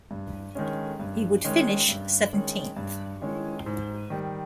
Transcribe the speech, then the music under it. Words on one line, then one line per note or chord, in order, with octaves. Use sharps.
He would finish seventeenth.
G2
D#3 G#3 C#4
G2
D#3 G#3 C#4
G2
D#3 G#3 C#4
G2
D#3 G#3 C#4
G#2
D#3 G3